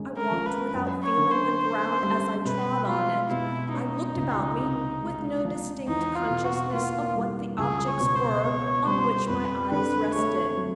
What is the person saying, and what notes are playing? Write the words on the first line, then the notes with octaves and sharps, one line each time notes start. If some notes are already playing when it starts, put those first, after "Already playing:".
I walked without feeling the ground as I trod on it; I looked about me with no distinct consciousness of what the objects were on which my eyes rested.
Already playing: F#2 D3 G#3
A#4
F3
B4
F#2
C#5
D3
C5
B3
G3
B2 B4
G#3 F4
B2 E4
C#4 D#4
C#2
C3
G#3
F3
E2 D#4
F4
B2
F#4
A#3 F4
G3
C#2 G#4
C#5
B2
C5
B3 C#5
G3 C5
F2 B4
D3 B4
A3 C#5
F#3